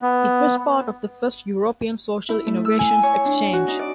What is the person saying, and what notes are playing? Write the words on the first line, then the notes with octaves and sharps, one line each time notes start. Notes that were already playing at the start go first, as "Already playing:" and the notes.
It was part of the first European Social Innovations Exchange.
B3
E4
A3
E6
G#5
C#5
D4
F#4
D#4
D5